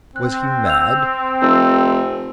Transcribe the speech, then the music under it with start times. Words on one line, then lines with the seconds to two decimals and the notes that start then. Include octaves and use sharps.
Was he mad?
0.16 C4 F#6
0.66 E6 G6 F7
1.42 F1 E6